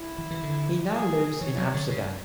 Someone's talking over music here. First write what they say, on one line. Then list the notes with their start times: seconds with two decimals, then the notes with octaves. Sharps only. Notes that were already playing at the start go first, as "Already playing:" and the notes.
He now lives in Amsterdam.
Already playing: E4
0.18 E3
0.31 E3
0.43 D3
0.92 G#4
1.41 E3 C#5
1.58 F#3
1.74 D3
1.91 C#3